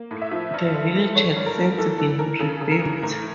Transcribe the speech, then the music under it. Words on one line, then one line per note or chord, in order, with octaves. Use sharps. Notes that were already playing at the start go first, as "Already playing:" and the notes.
The village had since been rebuilt.
Already playing: A#3
A2
E5
F3
G2
D3
A3
D3 C#5
G2
A#4
A3
E3 A4
E3 A4
E3 A#4
C#3 A4
C#3
A#4
E3
A2 A#4